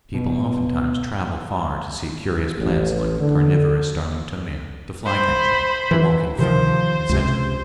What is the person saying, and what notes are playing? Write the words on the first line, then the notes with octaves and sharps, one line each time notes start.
People oftentimes travel far to see curious plants like the carnivorous darlingtonia, the fly-catcher, the walking fern, etc.
B2
A1
D3
C5 B5
E3
C3 D#3 F3 C5
C#2 C3